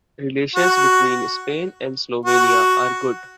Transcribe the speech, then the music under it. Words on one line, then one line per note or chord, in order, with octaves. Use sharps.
Relations between Spain and Slovenia are good.
F#4
F#4